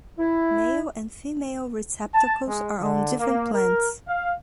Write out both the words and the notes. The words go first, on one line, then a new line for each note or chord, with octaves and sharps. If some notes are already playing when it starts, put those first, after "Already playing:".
Male and female receptacles are on different plants.
E4
A5
G#3
D3
A#3
A#4
F5